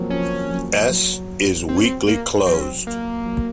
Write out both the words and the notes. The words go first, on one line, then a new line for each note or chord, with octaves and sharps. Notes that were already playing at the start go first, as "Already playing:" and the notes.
"S"' is "weakly closed".
Already playing: F3 F#3 A#3 C4
F3 C#4
F#3
F#3
C4
C#4
C4
A#3
F#3 C4
C#4
C4
A#3
F#3